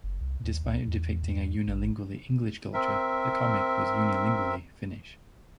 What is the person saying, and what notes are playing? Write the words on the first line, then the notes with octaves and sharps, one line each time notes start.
Despite depicting a unilingually English culture, the comic was unilingually Finnish.
F#1
C2
D#2
C#2
E2
E2
A1
C4 A#4 E5